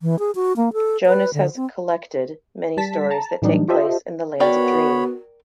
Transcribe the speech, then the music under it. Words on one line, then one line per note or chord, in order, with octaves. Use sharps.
Jonas has "collected" many stories that take place in the Lands of Dream.
E3
G#4
F#4
A#3
A4
B4
D3
C4
G3 A5 B6
A5 A#5
A2 E3 F#3 G3 D4 D#4
F4 G4 A4 C5 D#5 E5
B3 F#4 A#4 C#5 D5 G5 B5